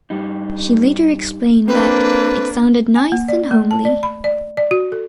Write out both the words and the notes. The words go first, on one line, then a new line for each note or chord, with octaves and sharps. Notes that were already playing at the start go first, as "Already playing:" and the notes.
She later explained that "it sounded nice and homely".
G2 G3 D#4
A#3 C4 D4 A4 B4 C5
G#5
A#3
D5
A3
A5
D5
B5
D5
D5
F#4
A4